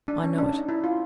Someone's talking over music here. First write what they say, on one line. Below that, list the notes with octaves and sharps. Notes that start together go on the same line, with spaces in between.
I know it.
D4
C#4
D4
D#4
E4
F4